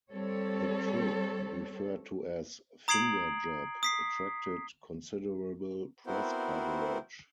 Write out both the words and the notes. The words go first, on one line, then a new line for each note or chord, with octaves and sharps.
The trick, referred to as "finger job," attracted considerable press coverage.
G3 C4 A4 C#5
A#5 D#6 G#6 C7 D7 F#7
D#6 B6 C7
B3 C4 E4 F#4 A#4 C5